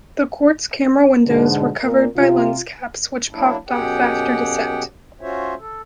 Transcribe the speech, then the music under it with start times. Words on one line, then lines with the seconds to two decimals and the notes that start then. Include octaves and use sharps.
The quartz camera windows were covered by lens caps which popped off after descent.
1.26 G#2 B2 D3
1.83 A#2 A#4
2.16 C3 F4
3.30 F#3 A#3 D4 E4
3.69 F#2 B2 G4 G#4 F#5 G5
5.21 C#4 F4 F#4 C5 C#5 E5
5.59 A4